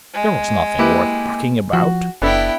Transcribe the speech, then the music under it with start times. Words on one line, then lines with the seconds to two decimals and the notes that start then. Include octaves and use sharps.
"There was nothing worth bucking about."
0.14 G#3
0.79 A#3 E4 G4 B4
1.73 F3 F#4
2.22 F#1 B3 D4 E4 A4 G5